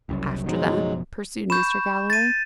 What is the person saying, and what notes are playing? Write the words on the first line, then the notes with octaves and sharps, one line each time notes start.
"After that?" pursued Mr. Galloway.
F#1 C2 F#2
F#1 B2 F3 F#3 G#3 D#4
B5 C#6 G6 E7
A6 D#7